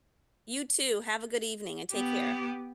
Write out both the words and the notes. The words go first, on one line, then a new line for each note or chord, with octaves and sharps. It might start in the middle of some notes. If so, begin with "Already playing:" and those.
You too. Have a good evening and take care.
B3 G4